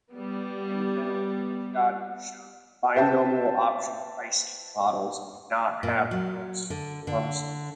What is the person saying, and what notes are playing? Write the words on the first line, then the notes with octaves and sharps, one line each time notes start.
In general, Georgiadis showed that binomial options pricing models do not have closed-form solutions.
G3 B3
B4 C5 E5 G5 A5
A#2
F#3
D3
D3